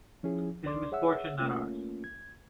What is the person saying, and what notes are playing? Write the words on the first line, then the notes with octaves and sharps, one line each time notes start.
His misfortune, not ours.
F3 C#4 E4 G#4
C#2 D4 D5 C6 D6
G#4 C#5 E5 F#5 E6
A3 A#3 C#4 F4
G#6